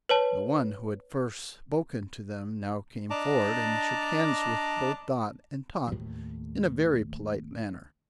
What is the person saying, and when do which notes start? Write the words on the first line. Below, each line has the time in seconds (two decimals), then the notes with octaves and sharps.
The one who had first spoken to them now came forward and shook hands with both Dot and Tot in a very polite manner.
0.09 B4 C#5 A5
3.10 D4 D5 D#5 A5 A#5 D6
5.87 D#2 A2